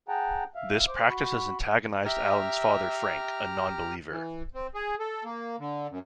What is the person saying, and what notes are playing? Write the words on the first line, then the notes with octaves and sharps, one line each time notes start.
This practice has antagonized Alan's father Frank, a non-believer.
G#4 F#5 G5 A5 A#5
E5 F5
C5 D6
F#4 B5 C#6
G4 E5 A#5 F6
E3
C4
G#4
A4
A#3
D3
F#2